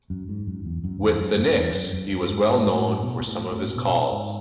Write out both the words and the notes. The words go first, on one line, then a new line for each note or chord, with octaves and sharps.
With the Knicks, he was well known for some of his calls.
F#2
G#2
F#2
E2
F#2
E2
F#2
F#2
E2
F#2
F#2
F#2
G#2
A2
B2
B2
A2
A2
B2
G#2